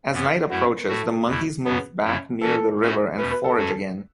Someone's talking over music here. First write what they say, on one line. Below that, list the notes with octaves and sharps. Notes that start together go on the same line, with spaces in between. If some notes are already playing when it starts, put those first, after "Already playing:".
As night approaches, the monkeys move back near the river and forage again.
F#2 E3 B3
F#2 F#3 A3 E4 F#4
A2 A3 F#4 A4
E2 B2 A3 E4
F#2 C#3 F#3 B3 B4
F#2 F#3 A3 E4
E3 C#4 F#4 A4
A2 A3 C#4 F#4
E2 B2 A3 C#4 B4
B4
A4
F#2 F#3 C#4 F#4